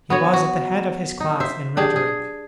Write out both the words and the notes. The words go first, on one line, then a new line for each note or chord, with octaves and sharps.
He was at the head of his class in rhetoric.
B3 F#4 C#5
F#4
D#4
C5 E5
D4 G4 G#4
G#4